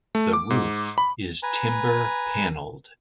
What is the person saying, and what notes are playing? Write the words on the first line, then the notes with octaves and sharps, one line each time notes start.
The roof is timber panelled.
A3
D6
G#2
B5
B4 G#5 A#5